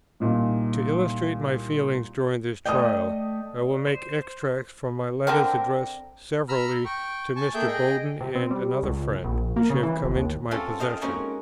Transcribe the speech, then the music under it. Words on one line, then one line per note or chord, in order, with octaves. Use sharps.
To illustrate my feelings during this trial, I will make extracts from my letters addressed severally to Mr. Bowden and another friend, which have come into my possession.
C2 A#2 D#4
A3 D5 D#5 G5 D#6
C5
D3 C4 A#4
A#5 B5 E6 F6
G5 C#6
G#5 A5 C#6
A#3 G#4 A4 E5 G5 G6
G#4 D#5 G5
C3
C4
G3
C#2
A#1
A#3
C#3
E3
G1
D#2
C4 C#4 F4 A4
C5 D#5 F5 G5 A5
G#3 A#3 C4 C#4 D#4 F#4